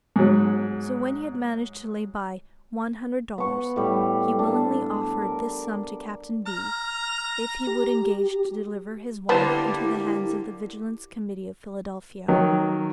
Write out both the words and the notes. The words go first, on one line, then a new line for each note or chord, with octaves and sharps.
So when he had managed to lay by one hundred dollars, he willingly offered this sum to Captain B., if he would engage to deliver his wife into the hands of the Vigilance Committee of Philadelphia.
G#2 F#3
B3 C#6
A2 G3
D4 A4
A#4
A#5 F6
G4
D3 G3 A#3 B3 E4 C5 A5
D#3 F#3